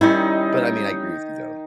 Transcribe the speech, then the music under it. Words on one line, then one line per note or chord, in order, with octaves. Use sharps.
But, I mean, I agree with you, though.
D#3 G3 C#4 D#4 E4